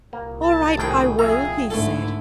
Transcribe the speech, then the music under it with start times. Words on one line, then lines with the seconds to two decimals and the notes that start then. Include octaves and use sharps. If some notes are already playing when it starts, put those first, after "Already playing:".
"All right, I will," he said.
0.13 C2 A#2 A#3
0.43 A5
0.78 A#1 D#2 A2 G#4 G5
1.19 F2 G#4 E5 A#5
1.70 G#2 D3 A3 E4 A4